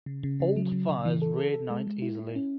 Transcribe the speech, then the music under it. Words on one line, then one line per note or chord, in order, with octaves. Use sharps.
Old fires reignite easily.
C#3
C#3
C#3
F#3
C#3
C#3
E3
A4
A4
A4
G#3
G#3
E4
E4
C#4